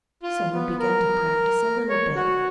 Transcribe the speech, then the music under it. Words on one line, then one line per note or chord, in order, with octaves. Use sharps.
He's only begun to practice a little bit.
F4
B3
A#4
C#5
F#4